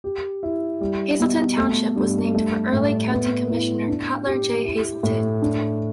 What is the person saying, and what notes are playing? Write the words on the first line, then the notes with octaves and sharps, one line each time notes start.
Hazelton Township was named for early county commissioner Cutler J. Hazelton.
G4
E4
G3
B2
A3
G2
A3
A2
B3
E4
D4
G4
E4
A2
D4